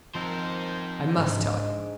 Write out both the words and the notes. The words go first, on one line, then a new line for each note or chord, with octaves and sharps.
I must tell you.
D#3 F3 C4 D#4 A#4 C5
G#2 G#3 D4